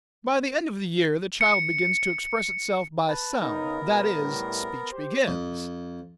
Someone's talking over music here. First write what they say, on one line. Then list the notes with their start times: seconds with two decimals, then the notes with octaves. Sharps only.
By the end of the year the child begins to express itself by sounds--that is, speech begins.
1.41 C#7
3.08 B4 A5
3.41 C#3 B3 D#4 A#4
3.82 B2 E3
4.15 A2 G3
4.91 G4 C5
5.28 F2